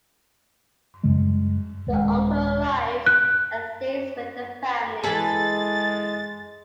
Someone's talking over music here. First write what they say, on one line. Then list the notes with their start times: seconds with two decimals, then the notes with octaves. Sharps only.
The uncle arrives and stays with the family.
1.03 F#2 C#3 G3 G#3
1.87 D#1 G#3
3.06 F#6
5.04 E3 G#3 G#4 A4 B5 A6